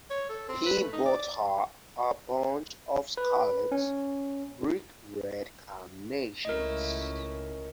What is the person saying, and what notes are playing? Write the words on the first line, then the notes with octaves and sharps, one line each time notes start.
He bought her a bunch of scarlet, brick-red carnations.
C#5
A4
C4
B4
A3
D#4
D5
B4
C#4
C#2 A3 C#4 E4 A#4 D#5